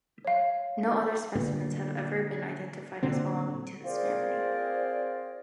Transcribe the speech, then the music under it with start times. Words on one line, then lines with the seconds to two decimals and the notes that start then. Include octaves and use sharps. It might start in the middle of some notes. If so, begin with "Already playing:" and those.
No other specimens have ever been identified as belonging to this family.
0.25 C#5 F5
1.35 A#2 D3 B3
3.03 A#2 D3 C4
3.85 C4 F4 G#4 A#4 C5 D5